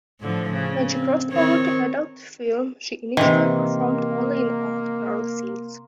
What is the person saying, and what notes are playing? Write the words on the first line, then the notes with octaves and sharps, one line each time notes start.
When she crossed over to adult film, she initially performed only in "all-girl" scenes.
A2 D3 F3
C#3
C4
D#3 C4 C#5
C3 D#3 E3 A#3 C6